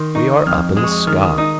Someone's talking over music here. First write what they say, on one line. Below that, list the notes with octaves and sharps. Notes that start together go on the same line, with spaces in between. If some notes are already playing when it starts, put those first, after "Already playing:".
We are up in the sky.
Already playing: D#3 C6
D#4 C#6
D#6
F2 F6
G#3 D#6
C#6
D#6
D#3 F6
D#6
D#4 D#6